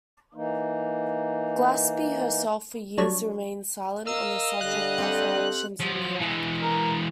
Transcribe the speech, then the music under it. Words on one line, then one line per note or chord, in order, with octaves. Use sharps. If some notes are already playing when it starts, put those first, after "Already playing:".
Glaspie herself for years remained silent on the subject of her actions in Iraq.
E3 A#3 D#4
F#3 G3 D4 C#5
A#4 D#5 F5 E6
D3 G3 F#6
C4 G4 A4
F3 F#3
E3 G#3
A#4